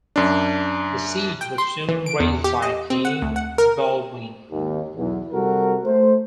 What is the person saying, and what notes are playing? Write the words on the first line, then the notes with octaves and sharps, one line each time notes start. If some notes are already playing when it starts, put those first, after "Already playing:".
The siege was soon raised by King Baldwin.
F#2 D4
G5
C6
E3
D7
E2
G4
D#5
C4
F#5
D2
F#5
A#4
G#1 D#2
B1 E2
C3 G3 F#4 A4 A#4
A3 C5